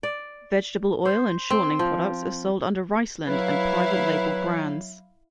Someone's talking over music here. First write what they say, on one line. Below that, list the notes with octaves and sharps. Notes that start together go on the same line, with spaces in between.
Vegetable oil and shortening products are sold under Riceland and private label brands.
D5
C5
C4
F3
F#3 E4 B4 F5